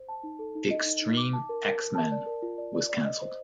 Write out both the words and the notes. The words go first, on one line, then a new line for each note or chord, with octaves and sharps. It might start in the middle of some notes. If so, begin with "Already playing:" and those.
"X-Treme X-Men" was cancelled.
Already playing: C5
A5
D#4
A4
D#4
D#5
D#4
D#4
D6
A5
A#4
A#4
A#4
A5
D5
A#4
F4
D5
D5
D5
D#5
C5